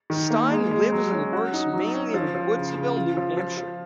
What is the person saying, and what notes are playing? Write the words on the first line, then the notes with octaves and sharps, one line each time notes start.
Steyn lives and works mainly in Woodsville, New Hampshire.
D#3
A#3
G#3
G#3
F#3
C#4
F#4
D#4
F#3
C#4
F3
F3
C#3
C#3
F4
F3
F3
F3